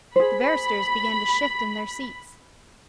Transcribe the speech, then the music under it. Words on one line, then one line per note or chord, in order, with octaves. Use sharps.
The barristers began to shift in their seats.
G#4 C5 B5